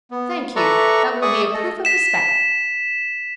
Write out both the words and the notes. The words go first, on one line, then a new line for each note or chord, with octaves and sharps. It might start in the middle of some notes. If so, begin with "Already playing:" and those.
"Thank you; that will be a proof of respect."
B3
A4 B4 D5 E5 A#5 C#6
G#4 D5 E5 C#6 D#6
A3 A4 D#5
B6 E7